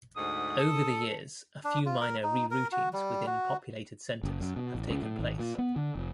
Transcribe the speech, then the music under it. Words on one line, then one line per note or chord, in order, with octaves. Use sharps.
Over the years a few minor reroutings within populated centers have taken place.
D2 G#2 D#6
A4
D4
F4
A#4
D#4
A#4
F#4
G3
F#4
F#1
F#2
B2
A1
C#2
A2
G#1
A#2
B3
D3
F1